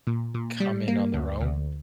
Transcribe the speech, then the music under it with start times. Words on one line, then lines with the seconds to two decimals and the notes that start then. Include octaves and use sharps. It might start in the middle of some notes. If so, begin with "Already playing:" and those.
come in on their own,
0.07 A#2
0.34 A#2
0.60 G3
0.88 A#3
1.14 D2
1.41 D2